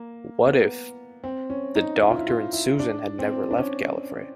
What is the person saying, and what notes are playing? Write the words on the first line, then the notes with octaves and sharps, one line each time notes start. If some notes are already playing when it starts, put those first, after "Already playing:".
What if... the Doctor and Susan had never left Gallifrey?
Already playing: A#3
B3
C4
C#4
D#4
E4
F4
E4
F4
E4
D4
C4
D4
C#4